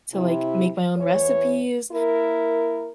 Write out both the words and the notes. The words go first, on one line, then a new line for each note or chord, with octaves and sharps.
to, like, make my own recipes,
C3 E4
E2 E3 C#5
A#3 E4 A#4